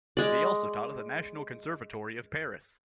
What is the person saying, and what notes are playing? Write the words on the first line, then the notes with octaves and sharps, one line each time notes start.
He also taught at the National Conservatory of Paris.
G#3 D5